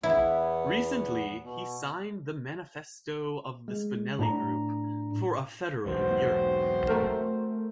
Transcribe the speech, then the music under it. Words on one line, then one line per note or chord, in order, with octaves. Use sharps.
Recently, he signed the Manifesto of the Spinelli Group for a federal Europe.
E2 B3 E4
B2
G#3
A2 D4 A#5
B1 E2 G#2 C4 F#4 C5
A3 A#4